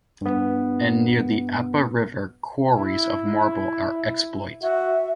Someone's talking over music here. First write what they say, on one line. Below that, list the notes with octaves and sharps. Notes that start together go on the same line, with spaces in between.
And near the Apa River quarries of marble are exploit.
G2 B3
E4
F#4 E5